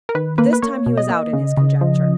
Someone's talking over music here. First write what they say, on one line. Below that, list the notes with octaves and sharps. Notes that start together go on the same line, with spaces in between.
But this time he was out in his conjecture.
A#4
D#3 B4
A#3 B4
B4
A#3 C#5
B2
D#5
A#3
C#3
C#3
F3